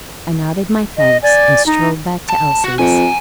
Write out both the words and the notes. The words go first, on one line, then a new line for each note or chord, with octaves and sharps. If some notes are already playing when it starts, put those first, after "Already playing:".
I nodded my thanks, and strolled back to Elsie's.
D#5
D5 G#5
D#4
A5
F#4
F2 F#5 G#5